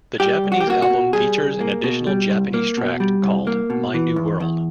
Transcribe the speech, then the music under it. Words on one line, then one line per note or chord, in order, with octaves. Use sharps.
The Japanese album features an additional Japanese track called ""My New World"".
G3 G4
C2
F#4
G4
A#3 F#4
F#4
B2
G3 G#4
C2
A#3
B2
G3
C2
A#3
B2
G3
C2
A#3
B2
E3
E2
E2